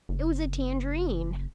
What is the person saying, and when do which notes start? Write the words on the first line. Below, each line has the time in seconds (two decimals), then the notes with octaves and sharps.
It was a tangerine.
0.09 F#1